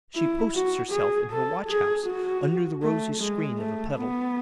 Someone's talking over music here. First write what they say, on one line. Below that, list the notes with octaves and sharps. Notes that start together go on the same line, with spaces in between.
She posts herself in her watch-house, under the rosy screen of a petal.
E4
F#4
G#4
A4
G#4
F#4
A3
G#3
A3
B3